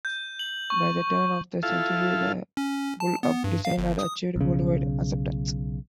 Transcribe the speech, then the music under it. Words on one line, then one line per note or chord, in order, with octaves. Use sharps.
By the turn of the century, the bullpup design had achieved world-wide acceptance.
G6
F#7
C#6
E4 F4 A4 F5
C#4
A5
B3
G2
F5
G1
D#6
B1 C#3